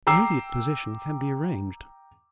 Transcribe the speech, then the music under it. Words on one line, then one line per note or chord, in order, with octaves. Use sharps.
Immediate possession can be arranged.
G5 A#5 D6 E6 C7